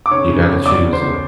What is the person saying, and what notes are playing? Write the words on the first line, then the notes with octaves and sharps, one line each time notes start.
You gotta choose it.
D6
C#3 C#5 C#6
C#3
E2
E2 D5 D6
E2
C5 C6
E2